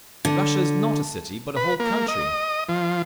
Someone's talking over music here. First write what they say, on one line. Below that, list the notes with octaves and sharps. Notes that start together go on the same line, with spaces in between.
Russia is not a city, but a whole country....
D3
B4
A#3
D#5
F3